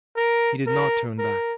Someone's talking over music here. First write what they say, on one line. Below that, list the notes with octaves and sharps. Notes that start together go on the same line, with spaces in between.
He did not turn back.
A#4
A#4
A#4